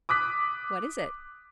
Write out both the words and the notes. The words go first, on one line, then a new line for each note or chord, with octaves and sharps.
"What is it?"
D6 D#6 F#6 B6